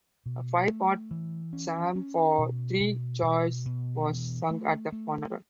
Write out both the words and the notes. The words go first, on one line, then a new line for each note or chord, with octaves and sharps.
A five-part psalm for three choirs was sung at the funeral.
B2
A3
E3
C#4
C#4
B2
B2
B2
B2
E3
A3
A3